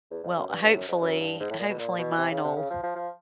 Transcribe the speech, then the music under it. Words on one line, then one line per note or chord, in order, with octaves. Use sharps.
Well, hopefully, hopefully mine'll
E2
F2
F#2
G2
G2
F#2
F2
F#2
G2
G#2
A2
A#2
B2
A#2
B2
C3
C#3
C3
C#3
F3
F3
F3